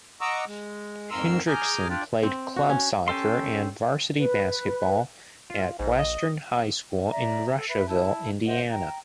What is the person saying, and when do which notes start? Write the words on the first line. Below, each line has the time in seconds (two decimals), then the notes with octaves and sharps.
Hendrickson played club soccer and varsity basketball at Western High School in Russiaville, Indiana.
0.21 D#5 F#5 A#5 C#6 D6 E6
0.47 G#3
1.11 F2 G#2 A#4 C6 E6
1.47 G#4 G#5 A#5 D6 F6 G6
1.89 D4 F4 G4 D5
2.23 C4
2.56 F#4
2.69 C#4
3.08 C#4 G4 A4 C6
4.17 B4
5.50 F4
5.80 A#1 G#2
5.99 D#5
7.11 D5 E5 A#5
7.55 A4
7.68 B4 E5
7.88 E4 A5
8.46 C5 D#5 E5 F#5
8.70 G5 A#5